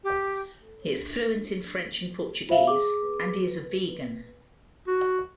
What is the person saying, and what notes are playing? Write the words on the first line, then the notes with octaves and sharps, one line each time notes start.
He is fluent in French and Portuguese, and he is a vegan.
G4
F4 C5 E5 F5
G#4 D6
F#4